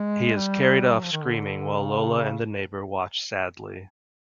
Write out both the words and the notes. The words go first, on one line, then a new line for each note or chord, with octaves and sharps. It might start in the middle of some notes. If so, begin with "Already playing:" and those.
He is carried off screaming while Lola and the neighbor watch sadly.
Already playing: G#3
G3
F#3
F3
D#3
D3
C#3